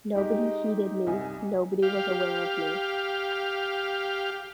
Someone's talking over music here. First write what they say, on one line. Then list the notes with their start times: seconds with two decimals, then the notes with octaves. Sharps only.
Nobody heeded me, nobody was aware of me.
0.15 G#3 D#4 G4
0.65 D#4
1.07 C2 G#5
1.83 G4 F5